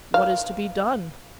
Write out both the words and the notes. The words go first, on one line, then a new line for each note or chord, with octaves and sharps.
What is to be done?
F5